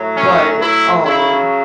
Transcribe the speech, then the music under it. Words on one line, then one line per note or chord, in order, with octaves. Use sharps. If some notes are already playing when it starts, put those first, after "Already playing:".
but, um,
Already playing: A2 F#3
C#4
E4
C#3 F#3 E4